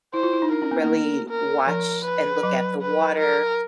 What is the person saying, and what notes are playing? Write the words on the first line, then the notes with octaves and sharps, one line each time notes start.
really watch and look at the water
E4 C5
F4
E4
D#4
D4 A#4
C#4
B3
A#3
A#4
F3 A#4
B4
F#3
B4
A#4